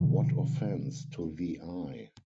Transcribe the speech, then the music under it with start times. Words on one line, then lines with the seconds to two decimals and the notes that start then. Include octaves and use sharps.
What Offence to the Eye!
0.01 B2 D3 E3 F3